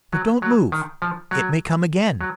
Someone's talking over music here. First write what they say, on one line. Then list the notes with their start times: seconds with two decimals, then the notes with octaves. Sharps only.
But don't move; it may come again.'
0.13 F#3
0.42 F#3
0.72 D#3
1.02 F3
1.31 F#3
2.21 F#3